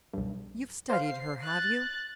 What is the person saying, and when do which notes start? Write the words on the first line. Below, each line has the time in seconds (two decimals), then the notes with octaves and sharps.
You've studied her, have you?
0.13 B1 G2
0.90 C5 F5 C7
1.44 F#6 A6